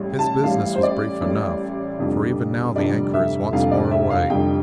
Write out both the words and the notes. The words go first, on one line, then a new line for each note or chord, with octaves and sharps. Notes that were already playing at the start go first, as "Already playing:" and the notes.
His business was brief enough, for even now the anchor is once more away.
Already playing: A1 A2 G3
A5
A1 A2 G3 F5
C5
D5
A1 A2 G3
F1 F2 D3 G3
F1 F2 D3 G3 D5
E5
F1 F2 D3 G3 F5
D5
E5
F5
F1 F2 D3 G3 G5